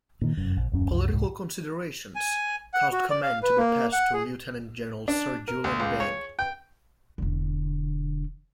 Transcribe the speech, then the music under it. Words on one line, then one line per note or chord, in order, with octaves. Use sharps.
Political considerations caused command to be passed to Lieutenant-General Sir Julian Byng.
A#2 D#3
F1 F#2
A#1
D#1 F#2 C#4
C2 F#2
C2 G#2
G#5
F#5
F#4
D5
F5
B4
A#3
F#5
G#4
D4
A#4
D2
C#2
C#5
G5
E1 D3